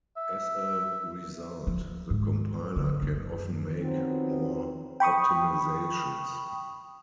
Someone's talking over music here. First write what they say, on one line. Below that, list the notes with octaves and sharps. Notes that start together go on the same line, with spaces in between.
As a result, the compiler can often make more optimizations.
E5
F3
G#2
D3
F#2
D#3 F3 F#3 B3 C4
G5 B5 C#6 D#6